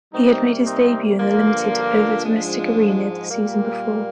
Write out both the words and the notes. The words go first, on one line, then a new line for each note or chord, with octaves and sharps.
He had made his debut in the limited over domestic arena the season before.
C3 G3 A#3 C4 D#4
C4 D#4
G2 D3 F3 A#3
D4 F4
G#2 F3 G#3
A#2 G3 A#3